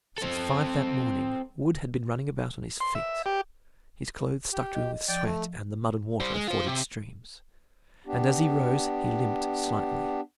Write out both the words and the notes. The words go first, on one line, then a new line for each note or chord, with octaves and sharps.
Since five that morning Wood had been running about on his feet, his clothes stuck to him with sweat and the mud and water of forded streams, and as he rose he limped slightly.
C4 A4
C6
E5
G4
G4
D#5
F3 D5 G5
A3
G3 C5
G#3
F4 C5
C3
B3 D4 G4